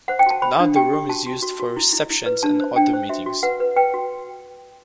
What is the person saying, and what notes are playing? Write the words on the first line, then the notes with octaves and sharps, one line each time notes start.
Now the room is used for receptions and other meetings.
C5 F#5
G5
F#4 A5
C5 B5
D4
G4 G5
G4
F#4 A5
F#4
F#4
F#4
E4
E4
E4
B4
D4 A5
C5
D4 G5
C5
F#4 E5
F#4
B4 F#5
B4
B4 G5
F#4